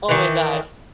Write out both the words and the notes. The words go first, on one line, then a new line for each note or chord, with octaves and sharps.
Oh my gosh.
D#3 E3